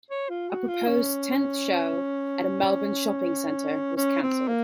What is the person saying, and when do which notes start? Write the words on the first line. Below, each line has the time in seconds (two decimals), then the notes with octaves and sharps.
A proposed tenth show at a Melbourne shopping centre was cancelled.
0.11 C#5
0.30 F4
0.49 F#4
0.68 F4
0.88 C#4
3.97 C#4
4.23 C4
4.48 A#3